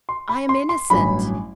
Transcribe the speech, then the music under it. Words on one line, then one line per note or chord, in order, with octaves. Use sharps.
"I am innocent."
C6
B5
C6
C6
A1 G2 F#3 B5